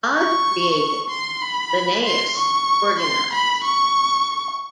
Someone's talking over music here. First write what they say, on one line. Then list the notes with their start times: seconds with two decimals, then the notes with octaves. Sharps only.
"God created, Linnaeus organized".
0.15 C#6
1.10 C6
1.42 B5
2.05 C6
2.37 C#6
3.00 C6
3.33 B5
3.64 C#6